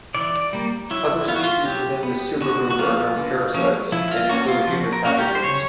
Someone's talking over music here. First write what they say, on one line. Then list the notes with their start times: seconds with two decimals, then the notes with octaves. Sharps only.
Other species within this supergroup are known parasites, and include human pathogens.
0.15 E3 D5
0.53 G3 A#3
0.91 F#3 E4
1.28 B3 F4
1.36 F#4
1.44 F4
1.65 F#3 G4
2.03 B3
2.41 D3 F#4
2.70 F#4
2.79 F3 A#3 C#4 F4
3.17 D3
3.54 F3 A#3 C#4
3.92 F3 E4
4.11 F4
4.29 A#3 C#4 F#4
4.48 F4
4.67 F3 F#4
4.93 A#4
5.05 A#3 C#4 F#4
5.19 G4
5.35 C5
5.43 C#3 C#5